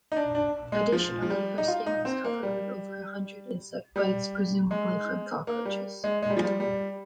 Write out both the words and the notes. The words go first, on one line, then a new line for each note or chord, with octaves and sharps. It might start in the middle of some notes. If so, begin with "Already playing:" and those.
Additionally, her skin was covered with over a hundred insect bites, presumably from cockroaches.
D#4
D4
D4
G#3
F3
F3
G3
D#4
F4
D#4
C4
A#3
G3
G3
G#3
A#3
G3
G#3
G#3
G3
F3
G3
G3